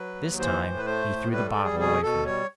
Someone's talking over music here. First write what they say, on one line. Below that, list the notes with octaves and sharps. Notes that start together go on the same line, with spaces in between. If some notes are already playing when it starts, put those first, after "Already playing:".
This time he threw the bottle away from it.
Already playing: F#3 B4
D#2
E3 C5
A2
B4
A3 C5
A2
G3 B4
A4
G3
G#4
B2 G#4
B2 A4
G3 C#5